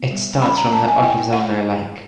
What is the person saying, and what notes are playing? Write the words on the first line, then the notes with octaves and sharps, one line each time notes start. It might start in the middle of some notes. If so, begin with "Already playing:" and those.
It starts from the Otlizino lake.
Already playing: B3
G3
C#4 B5
A#5
A3 A5
G#5
E4 G5
E4 F#5